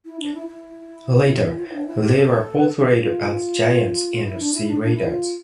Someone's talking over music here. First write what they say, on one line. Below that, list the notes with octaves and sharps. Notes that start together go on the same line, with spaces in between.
Later, they were portrayed as giants and sea raiders.
E4
D4
E4
E4
F4
E4
D4
E4
G4
A4
B4
A4
A4
G4
F4
E4
D4
E4
D4
D4
E4
F4